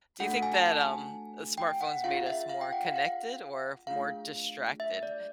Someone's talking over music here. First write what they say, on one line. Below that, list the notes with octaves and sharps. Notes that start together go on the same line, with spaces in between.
Do you think that, um, uh, smartphones made us more connected or more distracted?
A3 D4 F#4 A4 F#5
F#5
G#5
A5
G#5
G5
F#5
C#4 F4 G#4 F5
E5
F5
G5
F#5
F5
F5
A3 D4 F4 G#4 F5
E5
D5